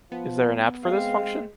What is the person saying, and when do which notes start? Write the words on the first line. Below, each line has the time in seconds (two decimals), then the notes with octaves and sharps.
Is there an app for this function?
0.12 F3 B3
0.84 G#3 C4 F5